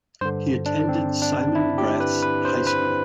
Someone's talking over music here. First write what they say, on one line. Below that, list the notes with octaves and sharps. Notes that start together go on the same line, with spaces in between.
He attended Simon Gratz High School.
G2 D3 C5
D4
C4
D4
E4
G4
B4
B4
C5
B4